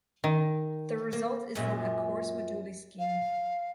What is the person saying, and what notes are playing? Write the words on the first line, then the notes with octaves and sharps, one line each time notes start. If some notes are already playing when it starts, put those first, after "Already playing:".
The result is then a "coarse moduli scheme".
D#3
A#3
F#2 A#2 G#3
F5